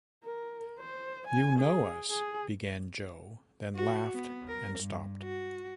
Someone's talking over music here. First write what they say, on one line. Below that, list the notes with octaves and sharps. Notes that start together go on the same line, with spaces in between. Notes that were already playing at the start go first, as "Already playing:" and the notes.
"You know us," began Jo, then laughed, and stopped.
A#4
C5
G#5
G#4
G#4
F#4
B3
A#4
G2
F#4